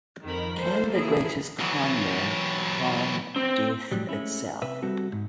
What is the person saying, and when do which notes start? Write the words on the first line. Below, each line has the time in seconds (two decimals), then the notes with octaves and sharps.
Can the greatest conman con death itself?
0.25 F2 D#3 A#4 B5
0.60 A#3 A4 C5
0.92 E3 E4 G#4
1.60 E3 F#3
3.36 C4
3.92 F2 A2 F#3 G3
4.09 G#3 A3 C#4 E4
4.62 C3 B4 E5
4.82 G3 C4 F#4 A4
5.13 G#2